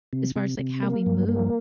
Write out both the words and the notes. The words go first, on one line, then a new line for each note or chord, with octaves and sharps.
as far as, like, how we move.
C3
C3
C3
A#3
G2
A#3